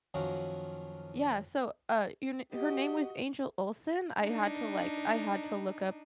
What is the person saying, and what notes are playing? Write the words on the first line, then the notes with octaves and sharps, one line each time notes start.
Yeah, so, uh, your n her name was Angel Olsen, I had to, like I had to look up
F#2 D#3 F3 A#3 C#4 F#4
F#4 G4 D#5
D4 D#4